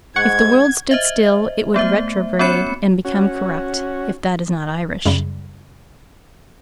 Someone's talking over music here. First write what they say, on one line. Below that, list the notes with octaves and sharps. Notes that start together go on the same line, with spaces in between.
'If the world stood still, it would retrograde and become corrupt, if that is not Irish.
G#2 F#5 C#6 G#6
C5 D#5 E5
A3 B3 C5 E5
B3 C#4 F#4 C#5 B5 C#7
C#4 F#4
F#2 C#3 G3